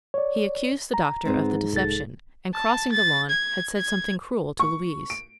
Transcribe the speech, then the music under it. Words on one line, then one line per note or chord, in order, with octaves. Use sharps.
He accused the doctor of the deception, and, crossing the lawn, had said something cruel to Louise.
C#5 D5
A#5
G#2 B3 C4
C2 A4 A6
A5
A6
G#6
G#6
C#6
D7